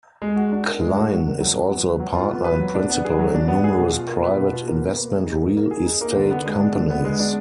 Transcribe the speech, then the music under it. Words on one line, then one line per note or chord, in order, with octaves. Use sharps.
Klein is also a partner and principal in numerous private investment real estate companies.
G#3
F#4
D4
A#4
G#3
F#4
D4
A#4
F#3
F4
B3
B4
F#3
F4
B3
B4
F#3
D4
B3
G#4
F#3
D4
B3
G#4
B2
F4
A#3
B4
B2
F4
A#3
B4
A#3
G#4
D#4
A#3
A#3
G#4
D#4
A#3
D3
B3
G#3
D4
D3
B3
G#3
D4